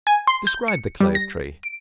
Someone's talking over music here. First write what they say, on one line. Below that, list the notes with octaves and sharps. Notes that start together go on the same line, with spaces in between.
Describe the Clove Tree.
G#5
C6
G6
C#7
G3
A#6
D7